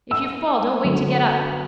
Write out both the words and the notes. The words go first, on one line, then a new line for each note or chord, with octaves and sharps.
If you fall don't wait to get up.
E6
F#2 D3 F#3 A3